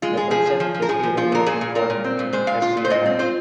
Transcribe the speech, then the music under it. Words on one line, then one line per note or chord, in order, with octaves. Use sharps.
The concept is even more important in espionage.
G#3 F4
G#3 G#4
F3 G#4
F3
F3
F3
A#4
F3 G#4
F3
F3 F4
A#2 A#4
A#2 G#4
A#2
A#2 A#4
A#2
C4
A#2
G#3 C5
A#2 F5
F4
A#2
C5
A#2 D#5
C4
F4 C5